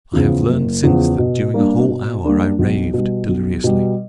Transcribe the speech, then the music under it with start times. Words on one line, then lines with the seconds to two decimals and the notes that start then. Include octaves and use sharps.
I have learned since that during a whole hour I raved deliriously.
0.13 E2 C#3 F3
0.49 F#1
0.83 E2 C#3 F3
1.19 B2
1.53 G3 A#3 D4
1.88 B2
2.24 G3 A#3 D4
2.59 B1
2.93 B2 G3
3.29 B1
3.64 B2 G3